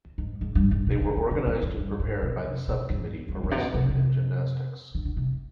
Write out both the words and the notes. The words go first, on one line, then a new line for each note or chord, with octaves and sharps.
They were organized and prepared by the Sub-Committee for Wrestling and Gymnastics.
G#2
G#2
G2
G#2
B2
D3
D3
D3
F2
F2
G2
G#2
B2
C3
B2
G#2
G2
G#2
C3
B2
C3
C3
D3
D3
C3